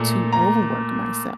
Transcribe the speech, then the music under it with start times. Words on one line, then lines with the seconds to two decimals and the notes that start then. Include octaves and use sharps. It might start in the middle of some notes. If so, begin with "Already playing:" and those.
to overwork myself,
Already playing: A#2 A3
0.33 A#5